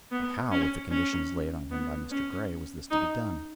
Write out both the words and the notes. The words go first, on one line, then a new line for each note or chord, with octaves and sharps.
But how, with the conditions laid on him by Mr. Grey, was this to be done?
B3
C#4
C#4
B3
C#4
D#4